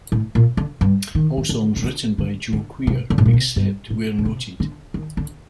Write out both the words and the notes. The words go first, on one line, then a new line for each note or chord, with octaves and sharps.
All songs written by Joe Queer, except where noted.
A2
A#2
D3
G2
D#3
D#3
D3
C3
D3
D3
D3
C3
D3
A2
A#2
C3
G2
A2
D3
C3
D3
D#3
D3